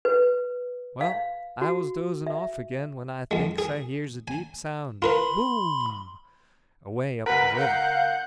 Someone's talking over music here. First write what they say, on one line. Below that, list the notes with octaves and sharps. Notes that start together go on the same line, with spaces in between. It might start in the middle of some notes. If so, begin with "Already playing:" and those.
Well, I was dozing off again when I thinks I hears a deep sound of "boom!" away up the river.
B4
F5
F#4
E5
F2 G#3
G#4
G#5
F4 A#4 B4 B5 C6
C#2 A#4 B4 F#5 B5
F5 F#5 G6